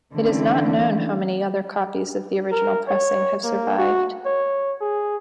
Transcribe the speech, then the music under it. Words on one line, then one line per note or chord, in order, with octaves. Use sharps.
It is not known how many other copies of the original pressing have survived.
D3 E3 A3 C4 C#4 E4
A#4
C#5
A#3
F#4
C#5
G#4